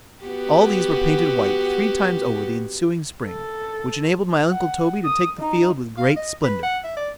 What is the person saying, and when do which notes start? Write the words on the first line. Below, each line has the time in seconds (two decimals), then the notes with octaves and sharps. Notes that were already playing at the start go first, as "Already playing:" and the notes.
All these were painted white three times over the ensuing spring, which enabled my uncle Toby to take the field with great splendour.
0.24 B3 F#4 G4
3.25 A4
4.49 F#5
5.04 D#6
5.39 D#4
5.98 F5
6.16 D#5
6.44 B4
6.63 F#5
6.84 E5
6.97 D5